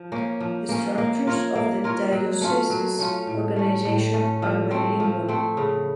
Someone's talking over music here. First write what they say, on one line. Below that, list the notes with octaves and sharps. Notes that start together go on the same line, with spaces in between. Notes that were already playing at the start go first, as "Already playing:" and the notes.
The structures of the diocese's organization are bilingual.
Already playing: F3
A#3 C#4
F3
A#3 C#4
A#3
F4 A#4 C#5
A#3
F4 A#4 C#5
F#3
A3 C#4 F4
F#3
A3 C#4 F4
A2
A3 C#4
A2
A3 C#4
F3
A3 C4
F3
A3 C4
C#3